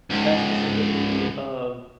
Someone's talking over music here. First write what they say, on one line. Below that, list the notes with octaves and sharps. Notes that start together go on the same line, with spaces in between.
that specifically of
C#2 G#2